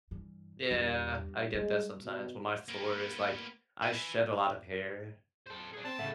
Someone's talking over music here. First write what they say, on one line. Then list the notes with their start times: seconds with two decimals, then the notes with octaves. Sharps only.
Yeah, I get that sometimes, when my floor is like I shed a lot of hair.
0.11 G2 E3
0.71 E2 G2
1.54 G3 G#3
2.03 B2
2.68 A#3 B3
3.82 B4 G#5
5.47 A4 C5
5.73 D4 G#4
5.85 C4 A5
5.99 A2 C#3 A4 E5 F#5